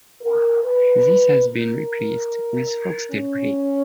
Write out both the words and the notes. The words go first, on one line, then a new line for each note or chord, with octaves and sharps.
This has been replaced with Foxtel Play.
A#4
B4
A#4
C#4